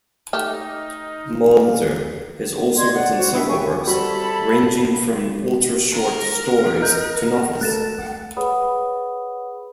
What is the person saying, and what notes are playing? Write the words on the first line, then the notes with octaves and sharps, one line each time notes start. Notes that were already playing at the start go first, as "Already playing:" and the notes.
Mulder has also written several works, ranging from ultra-short stories to novels.
A3 D#4 G4 F6
D5 D#5 C6 G#6
C#5 D5 F#5
F#4 C5
D4 E4 E5
C#5 G5 G#5 C#6
G3 C4 E4 F#4 A4 B5
A#4
D#5 A#5 F6 G6
A3 A4 F#6 A6 E7
G#4 B4 C#5 F#5 B5 D#6